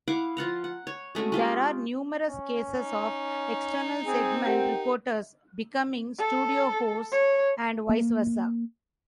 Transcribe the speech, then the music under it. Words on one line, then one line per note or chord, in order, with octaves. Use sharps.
There are numerous cases of external segment reporters becoming studio hosts, and vice versa.
E4 F5 F#5 D6
F3 F4 F#5 A#5
F#5
C#5
G#3 A3 C#4 F#4
G#3 F4 G4
C#4
D#4
C4 G#4
G4 A#4 F#5 G5
A4
C#5
A#3